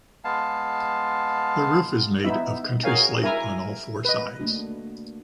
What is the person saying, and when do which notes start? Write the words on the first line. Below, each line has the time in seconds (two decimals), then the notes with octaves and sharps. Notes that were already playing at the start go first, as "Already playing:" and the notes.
The roof is made of country slate on all four sides.
0.24 G#3 B3 F5 A5
2.24 B3 D#4 E4 E5
2.84 F#4 G#4 A#4 C#5 F5 G#5
3.23 E4 A#4 G#5 A#5
4.05 B4 D#5
4.39 A3 A#3 D4 F#4